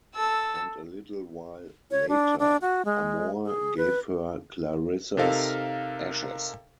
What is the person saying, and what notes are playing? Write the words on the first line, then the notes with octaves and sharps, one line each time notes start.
And a little while later, Amor gave her Clarissa's ashes.
A4 E6
C#5
D4
D4
F#4
G#3
G#4
B4
C3 D#4 A4 A#4 F5